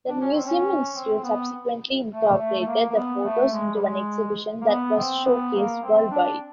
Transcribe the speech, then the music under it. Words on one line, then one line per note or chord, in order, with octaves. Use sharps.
The Museum-Institute subsequently incorporated the photos into an exhibition that was showcased worldwide.
D4
C#4
C4
C#4
C4
C4
B3
A3
A3
A3
A#3
A#3
B3
A3
G#3
G3
G#3
A#3
B3
C4
B3
A#3
C4
D4